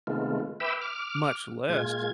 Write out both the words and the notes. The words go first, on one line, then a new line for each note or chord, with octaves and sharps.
much less,
C3 D#3 G#3 A3 B3 F4
B4 E5 G5 B5 D6 E6
D6 F6
A#2 G#3 F4 G#6